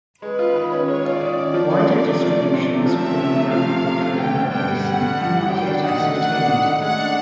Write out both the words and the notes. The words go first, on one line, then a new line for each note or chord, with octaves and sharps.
Wider distributions within the Brahmaputra River basin are not yet ascertained.
G#3 B4
F4
D#3
C#4
G#3 C#5
F4
D#3 D5
C#4
F3
C#4
C3
A3
F3
C#4
C3
A3
F3 E5
C3
C3
A3
F3 F5
C3
C3
A3
D3 G5
G2
G2 G5
G3
D3 F#5
G2
G2
G3
F#3 G5
D4
D#3 F#5
A3
F#3 F#5
D4
D#3
A3
G#3 F#5
D4